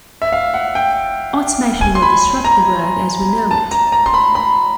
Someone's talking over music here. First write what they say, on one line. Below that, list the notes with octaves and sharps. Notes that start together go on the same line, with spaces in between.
Automation will disrupt the work as we know it.
E5
F5
F#5
G5
G#5
C6
B5
A#5
A5
A#5
A#5
C6
B5
B5